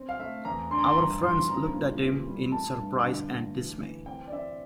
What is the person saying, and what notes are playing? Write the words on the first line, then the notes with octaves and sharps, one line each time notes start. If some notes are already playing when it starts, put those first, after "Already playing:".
Our friends looked at him in surprise and dismay.
Already playing: C4
F5
A3 E5
E2 A#5
D4 C6
A#5
C6
G2 A#5
G2 C6
C4 A#5
A#2
E3
G3
A3 A5
G2
D3
A3
E3
E3
C4 G5
D5
C4 E5